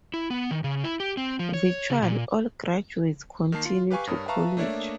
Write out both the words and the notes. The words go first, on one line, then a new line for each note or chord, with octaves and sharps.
Virtually all graduates continue to college.
E4
B3
D#3
C#3
E4
G4
C4
F3
C#5
C#3
A#2
D#3 A#3 A5 C7
F4
G4 B4 F5 G#5 C#6
G2 A#4 C#5 D#6
B4 E5 F5 A5 A#5 C#6
A3 A#3 D4 C#5 D5 E5